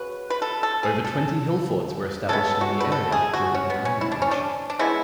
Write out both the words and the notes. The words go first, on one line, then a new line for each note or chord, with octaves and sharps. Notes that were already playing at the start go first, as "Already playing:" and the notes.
Over twenty hillforts were established in the area during the Iron Age.
Already playing: C#3 F#3 B4
B4
A4
A4
G#4
A4
C#3 G#3 B3 A4
F#4
B4
A4
G#4
F#4
C#4
B3
C#4
E4
D4
C#4
D4
D4
C#3 G#3 B3 E4